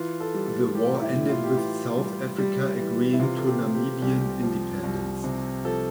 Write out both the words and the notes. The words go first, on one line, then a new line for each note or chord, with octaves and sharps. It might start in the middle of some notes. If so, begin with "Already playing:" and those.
The war ended with South Africa agreeing to Namibian independence.
Already playing: E3 F4
A4
G3
A4
A2 G4
E4
A2
F4
G4
E3 F4
G3
G3
E3
E4
C3 F4
A4
G4
C3
G4
C2 G4
F3
C2
C3
F3 A4